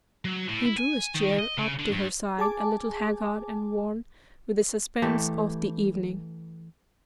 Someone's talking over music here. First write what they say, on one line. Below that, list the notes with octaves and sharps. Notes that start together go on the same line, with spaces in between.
He drew his chair up to her side, a little haggard and worn with the suspense of the evening.
F#3
A2
E4
G#5
D#3
D#5
C#3
D3
G2
G#4 G#5 A5 D6
E3 A3 G4